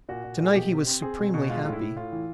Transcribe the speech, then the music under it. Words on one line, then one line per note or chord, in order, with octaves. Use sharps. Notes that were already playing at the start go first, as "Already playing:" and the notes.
To-night he was supremely happy.
A#2 F#4
A#2
A#2
G#4
B2 G4
C4
C4
C4 G#4
B2
B2
G#3 F4
A2
E4
A2
A2 F4
E3